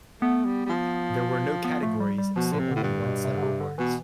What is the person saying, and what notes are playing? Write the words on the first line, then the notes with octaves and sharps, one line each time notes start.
There were no categories, so only one set of awards.
A3 B3
G3
G3
F3
B3
A3
G3
G3
B2 F3
D3
C3
A2 D3
G2
B2
C3
D3
C3
D3
B2 E3